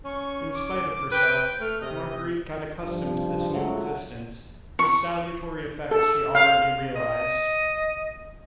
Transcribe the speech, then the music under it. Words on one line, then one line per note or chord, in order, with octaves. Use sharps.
In spite of herself, Marguerite got accustomed to this new existence, whose salutary effects she already realized.
C#4 C#6
D6
B4 G5
A3 F6
C3 D#5
G2 F3
F#3 G#3 A3 F4 F#4
C#6
A4
F5
D#5